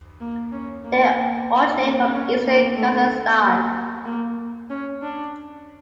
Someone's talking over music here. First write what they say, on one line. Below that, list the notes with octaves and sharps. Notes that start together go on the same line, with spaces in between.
They originate from eastern Kazakhstan.
A#3
C#4
A#3
A#3
A#3
C#4
A#3
A3
A#3
A#3
C#4
D4